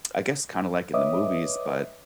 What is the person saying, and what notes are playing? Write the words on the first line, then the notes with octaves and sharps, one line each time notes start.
I guess kinda like in the movies, but
B4 C#5 D#5 E5 D6 D#6